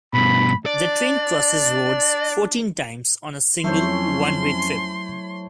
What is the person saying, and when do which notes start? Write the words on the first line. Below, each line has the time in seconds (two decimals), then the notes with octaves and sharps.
The train crosses roads fourteen times on a single one-way trip.
0.14 G2 B2 B5
0.66 D4 D5
3.64 F2 F#3 A3 C#4 E4 C5 C#5 C6